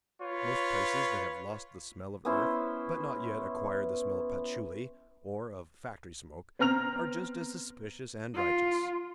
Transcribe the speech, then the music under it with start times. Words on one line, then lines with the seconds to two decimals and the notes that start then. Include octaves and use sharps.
Most places that have lost the smell of earth but not yet acquired the smell of patchouli--or of factory-smoke--are just as suspicious and righteous.
0.21 F4 B4 C#5
2.25 B3 C#4 E4 C5
6.59 B3 C4 A#5 F6 F7
8.35 F4